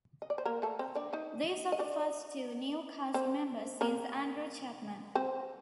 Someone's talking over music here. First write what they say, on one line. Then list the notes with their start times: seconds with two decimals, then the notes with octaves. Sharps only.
These are the first two new cast members since Andrew Chapman.
0.22 D#5
0.30 D5
0.38 C5
0.45 A#3 A#4
0.62 A3 A4
0.79 C4 C5
0.95 D4 D5
1.13 D#4 D#5
1.72 D#5
1.79 D4 D5
3.14 C4 C5
3.81 A#3 A#4
5.15 C4 C5